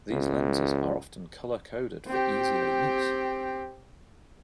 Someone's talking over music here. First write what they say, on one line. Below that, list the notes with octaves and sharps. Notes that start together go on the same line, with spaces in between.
These lenses are often color coded for easier use.
C#2
C4 G4